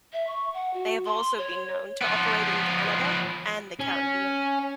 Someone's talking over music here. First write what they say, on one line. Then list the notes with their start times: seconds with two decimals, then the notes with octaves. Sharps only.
They also have been known to operate in Canada, and the Caribbean.
0.13 E5
0.27 C#6
0.54 F#5
0.74 F#4
1.06 C6
1.38 C#5
2.01 F3 B3
3.80 C#4